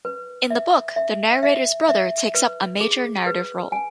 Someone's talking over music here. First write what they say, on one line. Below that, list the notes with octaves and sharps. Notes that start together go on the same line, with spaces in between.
In the book, the narrator's brother takes up a major narrative role.
B4
E5
E5
E5
E5
B4
G#4
B4
G#5